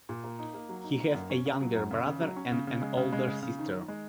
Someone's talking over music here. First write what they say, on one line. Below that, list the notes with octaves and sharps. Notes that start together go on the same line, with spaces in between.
He has a younger brother and an older sister.
A#2
A#3
D#4
A#3
F#3
D#4
A#3
F#2
C#4
C#3
F#3
F#2
C#3
C#3
F#3
C#4
C#3
C#3
G#3
C#3
G#3
C#3
C#3
D#3
D#3
G#3